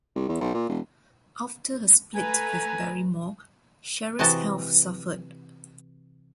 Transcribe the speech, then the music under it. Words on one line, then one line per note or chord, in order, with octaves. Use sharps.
After her split with Barrymore, Cheryl's health suffered.
C2
E2
B1
A#2
E1
A3 B4 G#5 A#5
C3 E3 F#4 D#5 A5